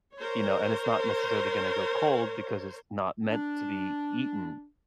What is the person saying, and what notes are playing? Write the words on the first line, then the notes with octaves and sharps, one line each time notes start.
you know, and it's not necessarily gonna go cold because it's not meant to be eaten.
A#4 C5 C#5
D4